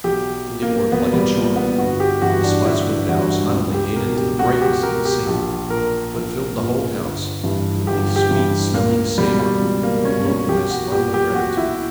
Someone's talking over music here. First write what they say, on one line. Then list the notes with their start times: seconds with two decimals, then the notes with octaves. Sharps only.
It worked like a charm; the spicewood boughs not only added to the brightness of the scene but filled the whole house with the "sweet smelling savour" of a little boy's love and gratitude.
0.04 B1 G4
0.48 A#2
0.62 A#3
0.92 B1 B3
1.13 G3
1.35 A#2
1.56 B3
1.78 G1 F#4
2.00 G4
2.22 G2 E3 F#4
2.44 D4
2.65 G1 E4
3.09 G2 E3 F#4
3.53 C#2
3.74 G4
3.96 B2 A#4
4.18 G4
4.39 C#2 F#4
4.61 G4
4.83 B2 A#4
5.05 G4
5.26 A#1 G4
5.69 A#2 A#4
6.14 A#1
6.57 A#2
7.00 G1
7.44 G2 E3
7.87 G1 G4
8.16 G4
8.31 G2 E3
8.74 C#2 A#3
8.96 A#3
9.17 B2 G3
9.39 G3
9.62 C#2
9.83 A#3
10.05 B2 C#4
10.26 C#4
10.48 B1 G4
10.70 F#4
10.92 A#2 G4
11.14 G4
11.35 B1 F#4
11.57 E4